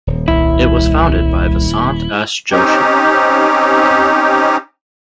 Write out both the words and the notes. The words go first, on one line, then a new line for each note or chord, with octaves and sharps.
It was founded by Vasant S. Joshi.
D#1
C2 E4
C4 C#4 D#4 G4